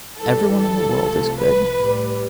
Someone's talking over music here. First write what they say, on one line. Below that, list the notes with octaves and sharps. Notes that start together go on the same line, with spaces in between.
Every one in the world is good.
G2 E3 G3 A4
A4
C2 C3 F3 A3
B4
A2 G3